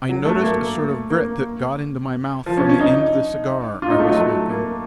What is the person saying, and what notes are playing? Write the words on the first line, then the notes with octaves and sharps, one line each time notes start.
I noticed a sort of grit that got into my mouth from the end of the cigar I was smoking.
F#3
A3
A#3
A#3
F3
C#4
C#4
D#4
F4
D#4
A3
F#3
A3
A#3